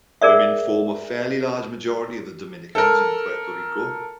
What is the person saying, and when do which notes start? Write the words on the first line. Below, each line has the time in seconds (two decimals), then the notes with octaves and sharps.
Women form a fairly large majority of the Dominicans in Puerto Rico.
0.22 G#4 A#4 D5 E5
2.75 A4 A#4